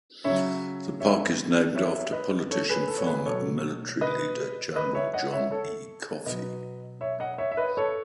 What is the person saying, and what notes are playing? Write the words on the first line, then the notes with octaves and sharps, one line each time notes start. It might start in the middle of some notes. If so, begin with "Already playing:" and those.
The park is named after politician, farmer, and military leader General John E. Coffee.
C#3 F#3 C#5 E5
C#5 E5
C#5 E5
C#5 E5
B4 D#5
A4 C#5
G#4 B4
A4
C#5
G#4 B4
B2 F#3 A4 C#5
B4 D#5
B4 D#5
C#5 E5
D#5 F#5
C#5 E5
A4 C#5
B2 F#3 B4 D#5
C#5 E5
D#5 F#5
C#5 E5
E5
B4 D#5
A4 C#5